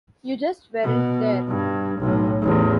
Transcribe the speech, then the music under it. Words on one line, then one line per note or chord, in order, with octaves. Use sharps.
You just weren't there.
B2
G2
B1 A2
A1 E2